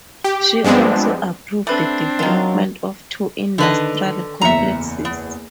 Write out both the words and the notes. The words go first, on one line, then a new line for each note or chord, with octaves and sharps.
She also approved the development of two industrial complexes.
G4
G2 F3 G#3 B3 C4 D4
A3 C4 D4 B4
D#3 F#3 F4
D3 D#3 B4 D#5 A5
F#1 E2 E5 A#5 C#7
B3